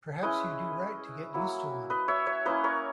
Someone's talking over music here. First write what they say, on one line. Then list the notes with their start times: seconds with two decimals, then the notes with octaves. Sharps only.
Perhaps you do right to get used to one.
0.22 G#3 C#4 E4 B4 D#5
1.34 F#3 A#3 E4
1.90 B4 D#5
2.08 C#5 E5
2.26 C#5 E5
2.45 A#3 C#4 E4 B4 D#5
2.64 A#4 C#5